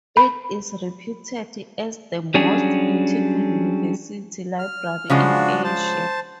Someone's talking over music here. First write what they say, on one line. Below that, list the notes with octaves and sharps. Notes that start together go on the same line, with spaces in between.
It is reputed as "the most beautiful university library in Asia".
B5
F#3 G3 C#4 D4 F#4 G#4
F6
C#3 F3 G#3 D4 F#4
C5 A5